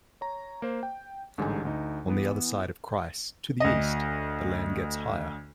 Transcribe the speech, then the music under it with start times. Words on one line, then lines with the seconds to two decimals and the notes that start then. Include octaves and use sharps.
On the other side of Chryse, to the east, the land gets higher.
0.21 C#5 A#5
0.62 A#3 C5
0.83 G5
1.38 A1 G#2 D3 G3 D#4 G#5
1.65 D2 D#4
2.07 E3 B3
3.60 D2 D#5